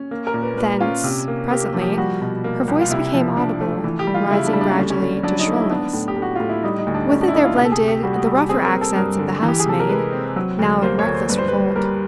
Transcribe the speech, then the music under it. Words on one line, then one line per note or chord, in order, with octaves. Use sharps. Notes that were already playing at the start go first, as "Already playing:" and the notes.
Thence, presently, her voice became audible, rising gradually to shrillness; with it there blended the rougher accents of the housemaid, now in reckless revolt.
Already playing: C#4
A#3
A#4
A#2
B4
A#2 B4
C#4 F4
C3
A#3
A#3 G4
F3
G4
G3 F#4
B2
A#3
C2
F4
C3 E4
F3
F3 D4
A3
E3
G4
G3
F4
C#3 E4
D4
G3
D4
C#4
D2
C#4
D3
F#3 D4
D#4
A3
E4
B3 D4
A2
G4
A2
F#4
A2 F4
E4
G3 D#4
D#4
D2
D4
D2 C#4
D4
E4
D2 D#4
F4
C3 G4
A4
G#4
C3
G4
G3 F#4
F#4
G4
G3
G4
C4 G#4
A#4
G3
A4
G2 A#4
D3
E3
G4
G#4
C3 A4
A#4
G#3 B4
C4
F#3
D2
A#3 C5
C#5
D2
C5
G2 B4
C5
B4
G3
G3 A#4